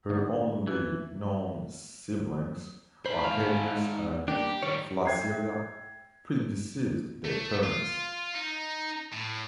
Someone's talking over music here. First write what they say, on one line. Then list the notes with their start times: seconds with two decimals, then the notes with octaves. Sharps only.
Her only known siblings, Arcadius and Flacilla, predeceased their parents.
0.10 D2
0.67 E3
3.06 G#2 C5 B5
3.22 E5 F5
4.28 G3 A#3 D4 G4
4.63 D#3 G3 C#5
5.05 E5 G5 G#6 C7
7.25 A3
7.63 F4
8.35 D#4
9.13 A2